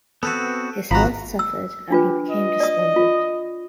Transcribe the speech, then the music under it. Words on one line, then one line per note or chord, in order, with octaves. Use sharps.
His health suffered, and he became despondent.
B3 C4 F#4 A4 B4 A5
G#1 F3 F#4 A#5 B5
E6
D4 F4 G4 B4
D#5
D5 D#6
F4